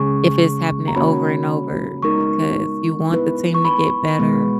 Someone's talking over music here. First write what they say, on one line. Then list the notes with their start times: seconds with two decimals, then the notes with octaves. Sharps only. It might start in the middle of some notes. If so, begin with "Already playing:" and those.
if it's happening over and over, because you want the team to get better,
Already playing: C#3 G#3 C#4 G#4 C#6
0.88 A#5
0.95 A#3 C#4 F#4 C#5 B5
2.02 G#3 B3 D#4 A#4 C#6
3.11 B3 E4 B4
3.54 C#6
3.65 B5
4.19 B2 G#3 B3